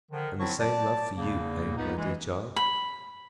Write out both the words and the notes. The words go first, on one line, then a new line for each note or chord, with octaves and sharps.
"And the same love for you--eh, my dear child?"
D3 D#3 F3
G#2 F#3 C4 E4 A5 C#6
D5 A5
E2 C#3 A#3
C#2 B3 D#4
E3 G#3
B5